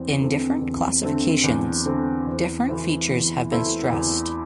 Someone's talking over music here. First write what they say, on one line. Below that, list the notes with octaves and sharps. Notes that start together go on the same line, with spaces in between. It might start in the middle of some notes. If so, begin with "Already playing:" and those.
In different classifications, different features have been stressed.
Already playing: E2 C4
D3 A3 C4
E2
D3 A3 C4
E2
D3 A3 C4
E2
E3 A3 E4 C5
E2
E3 A3 E4 C5
E2